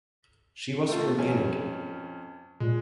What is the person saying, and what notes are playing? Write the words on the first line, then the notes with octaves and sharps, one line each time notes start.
She was from Munich.
A3 F4
F2 C#4 G#5
A#2 G#3